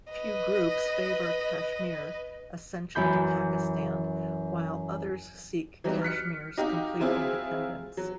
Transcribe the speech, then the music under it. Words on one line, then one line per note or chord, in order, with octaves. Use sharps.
Few groups favour Kashmir accession to Pakistan, while others seek Kashmir's complete independence.
B4 D#5
F#2 E3 B5 G6
E3 F#3 G3 D#4
F6 F#6 B6 C#7
D#4 F#4 G4 F5
F#3 C4 E4 F4 G#4
F#3